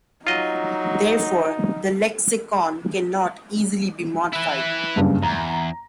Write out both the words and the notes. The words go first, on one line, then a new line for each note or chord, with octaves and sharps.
Therefore, the lexicon cannot easily be modified.
F#3 D#4 F4 D#5
E4 B4
F#1 G2 C#3
E2 A#5